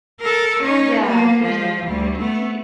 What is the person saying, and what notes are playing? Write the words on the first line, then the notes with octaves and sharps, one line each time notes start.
yeah, if there's, like, an emergency
A4 A#4
C#4 D#4
A#3 B3
F3 G#3
D2 G3
A3 B3